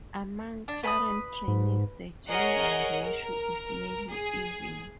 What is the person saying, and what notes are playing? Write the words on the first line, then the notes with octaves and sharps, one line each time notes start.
Among current trainees, the gender ratio is nearly even.
D4
B4 B5 D#6
G#2
G#4 A#4 C#5 D#5 F#5
A#4
G#4